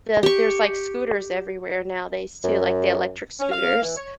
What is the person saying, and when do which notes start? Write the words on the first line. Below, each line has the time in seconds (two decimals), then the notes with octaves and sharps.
The there's, like, scooters everywhere nowadays too, like, the electric scooters.
0.23 G4 C#6
2.44 F#2
3.39 C#4
3.51 F5
3.81 E3
3.95 C#5